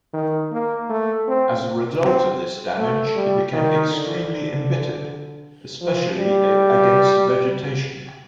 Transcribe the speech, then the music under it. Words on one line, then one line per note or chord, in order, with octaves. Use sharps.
As a result of this damage, he became extremely embittered, especially against vegetation.
D#3
A#3
A3
C4
C4
A3
G3
D#3
D3
F3
G3